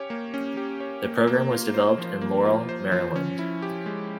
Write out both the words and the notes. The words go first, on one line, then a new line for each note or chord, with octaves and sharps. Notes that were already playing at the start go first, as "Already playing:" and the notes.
The program was developed in Laurel, Maryland.
Already playing: C#4 G4 C#5
A#3
C#4
G4
C#5
A#3
A#3
F4
C5
F3
A#3
F4
C5
F3
C#4
E4
G4
G#3